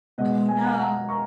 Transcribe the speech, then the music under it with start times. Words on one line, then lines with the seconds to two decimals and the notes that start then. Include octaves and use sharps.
Oh, no.
0.18 B2 G#3 B3 D#5 F#5
0.48 G#5
0.58 A#5
0.67 F5 G#5
0.78 F#5 A#5
1.09 A#5 C#6